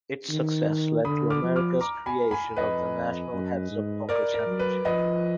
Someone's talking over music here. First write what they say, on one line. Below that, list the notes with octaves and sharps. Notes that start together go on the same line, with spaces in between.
Its success led to America's creation of the National Heads-Up Poker Championship.
D#3
D3 B5 D#6
D6 F6
F3
D6 F6
A#5 D6
G#5 B5
G#5 B5
F2 B4 D#5
F#2
G#2
A#4 D5
A#4
F#3
B4
F3 B4 D#5